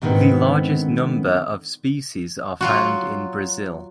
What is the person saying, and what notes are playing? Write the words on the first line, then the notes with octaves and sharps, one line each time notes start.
The largest number of species are found in Brazil.
G#2 D3 D#3 B3 C4
F#3 F4 F#4